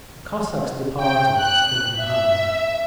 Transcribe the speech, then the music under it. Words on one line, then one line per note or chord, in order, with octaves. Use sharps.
The Cossacks departed, thinking hard.
G5
F#6
E5